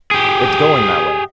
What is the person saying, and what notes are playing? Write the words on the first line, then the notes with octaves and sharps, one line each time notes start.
It's going that way.
G4 G#4